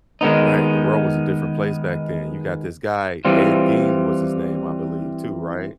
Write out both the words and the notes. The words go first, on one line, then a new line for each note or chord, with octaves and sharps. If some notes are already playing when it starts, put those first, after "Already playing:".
Right. The world was a different place back then. You got this guy, Ed Gein was his name, I believe, too, right?
D#3 G#3 B3 D#4
E3 G3 C4 F4